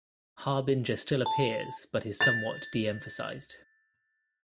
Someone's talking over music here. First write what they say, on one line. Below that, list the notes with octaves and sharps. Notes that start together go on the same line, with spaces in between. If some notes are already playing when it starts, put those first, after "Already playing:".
Harbinger still appears but is somewhat de-emphasized.
A5
A6 F7